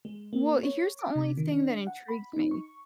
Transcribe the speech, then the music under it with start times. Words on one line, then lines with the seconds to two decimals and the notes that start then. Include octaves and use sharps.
Well, here's the only thing that intrigues me
0.05 G#3
0.33 A#3
0.63 C#5
0.99 D6
1.15 C3
1.38 D#3
1.52 D4
1.87 F#5
2.08 B5
2.33 D#4
2.51 C#6